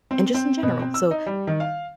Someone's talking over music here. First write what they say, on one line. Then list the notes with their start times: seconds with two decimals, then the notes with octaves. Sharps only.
and just in general, so
0.11 C4
0.34 C4
0.63 B2
0.79 C4
0.94 E6
1.11 D#4
1.26 G3
1.47 D#3
1.60 F5